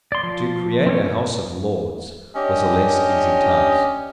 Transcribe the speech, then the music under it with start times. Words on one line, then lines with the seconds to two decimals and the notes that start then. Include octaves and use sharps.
To create a House of Lords was a less easy task.
0.12 D5 C6
0.23 F3 C6
0.87 C4 C#4 C#5
2.35 C#4 D4 G4 C#5 D#5